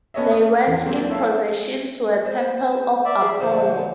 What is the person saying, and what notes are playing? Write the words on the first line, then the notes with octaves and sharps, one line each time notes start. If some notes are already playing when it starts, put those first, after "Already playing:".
They went in procession to a temple of Apollo.
B3 C#4 A4 C#5 D#5 E5
D#6
E2
F#3 A#3 C4
E4 A4 C#5 E5 F5
C5
D5 E5
G#4
A#2 D3 F3 C5